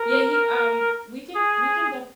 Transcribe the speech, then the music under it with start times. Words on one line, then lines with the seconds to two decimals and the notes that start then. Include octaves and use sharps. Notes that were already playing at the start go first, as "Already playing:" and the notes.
Yeah, yi um, we can we can def
Already playing: A#4
1.35 G#4